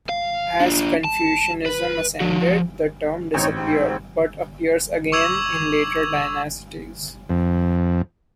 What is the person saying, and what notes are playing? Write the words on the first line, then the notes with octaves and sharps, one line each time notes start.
As Confucianism ascended the term disappeared, but appears again in later dynasties.
F5
D4 F4
A5
B4
F3 F#4
A1 C4 D#4 C#5
G#2 C4
C#6 D6 E6 G#6 F7 F#7
F2